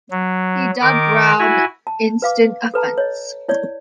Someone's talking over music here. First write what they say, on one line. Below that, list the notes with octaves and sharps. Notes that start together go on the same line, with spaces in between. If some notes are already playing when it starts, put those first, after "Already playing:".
He dubbed Brown "Instant Offense".
F#3
D#3 A#4 D6
E4 F#4 G#5
A5
B4 F5 D6
A4 B4 A5 A#5
C#5 D#5
E4 C#5 D5